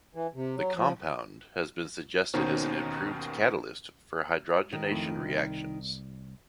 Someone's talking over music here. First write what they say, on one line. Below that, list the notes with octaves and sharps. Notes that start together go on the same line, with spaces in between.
The compound has been suggested as an improved catalyst for hydrogenation reactions.
E3
C3
F#3
F3
D#2 B2 D#3 C#4 D#4 C5
D#3
A1 F2 A2
C2